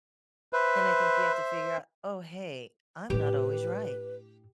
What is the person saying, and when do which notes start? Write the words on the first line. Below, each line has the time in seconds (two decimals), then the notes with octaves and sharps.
And I think you have to figure out, "Oh, hey, I'm not always right."
0.53 B4 C5 E5
3.10 A2 D4 G4 B4